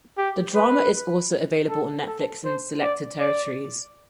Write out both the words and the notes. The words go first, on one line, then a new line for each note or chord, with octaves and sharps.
The drama is also available on Netflix in selected territories.
G4
B4
A4
A4
C5
D5
D5